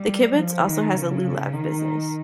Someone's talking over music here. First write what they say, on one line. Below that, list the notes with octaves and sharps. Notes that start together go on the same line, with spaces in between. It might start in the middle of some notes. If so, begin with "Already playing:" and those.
The kibbutz also has a lulav business.
Already playing: G3
F3
D#3
C#3
D#3